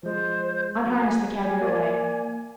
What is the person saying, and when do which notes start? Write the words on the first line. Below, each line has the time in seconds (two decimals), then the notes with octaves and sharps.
Unharness the cabriolet.
0.03 F3 G#3 C5
0.86 F#3 A#5
0.99 G#5
1.61 A#3 D5